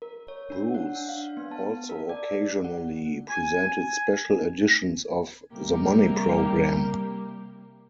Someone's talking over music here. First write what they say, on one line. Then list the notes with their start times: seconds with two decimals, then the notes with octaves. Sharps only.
Bruce also occasionally presented special editions of "The Money Programme".
0.02 A#4
0.28 C#5
0.50 D4
0.74 F#5
0.95 D4
1.09 F5
1.37 B3
1.51 A5
1.89 A#4
2.09 D5
2.64 F#5
3.29 G#5
3.65 G#5
5.53 C3 G3 A#3 G4 A#4